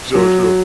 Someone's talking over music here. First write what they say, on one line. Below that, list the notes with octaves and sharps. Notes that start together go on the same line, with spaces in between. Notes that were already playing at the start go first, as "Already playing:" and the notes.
Sure, sure.
F#3